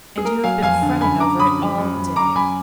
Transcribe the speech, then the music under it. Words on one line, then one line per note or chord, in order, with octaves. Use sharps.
'And you have been fretting over it all day.
G#4
A#3 A#4
F#3 F5 G#5
F2 F5 G#5
D3
F#2 G#5 B5
D3 A#5 D6
F#2 B5 D#6
F3
F#2
F#2
F#2 A#5 D6
F#2 G#5 B5